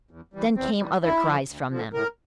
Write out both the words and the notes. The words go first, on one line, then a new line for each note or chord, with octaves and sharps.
Then came other cries from them.
E2
E3 G3
E2 C4
E3 G3
D2 E4
D3 F3
D2
D3 F3
A2 A#4